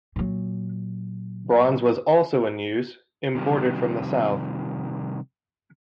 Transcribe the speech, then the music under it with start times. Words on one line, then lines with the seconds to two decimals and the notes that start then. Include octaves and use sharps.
Bronze was also in use, imported from the south.
0.16 A#2 F#3
3.35 C3 D#3 F3 G3